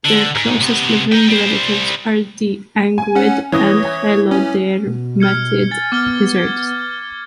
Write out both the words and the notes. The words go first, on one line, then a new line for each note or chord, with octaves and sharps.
Their closest living relatives are the anguid and helodermatid lizards.
D3
G#2
C3 B3
A#4 G5
G3 C5
G#5
C#4 F#5
E3 C#5 D#6 A#6
C#4
B2
F6 G#6 C#7
G#5 A6
B3 D6 F6 G7
G#6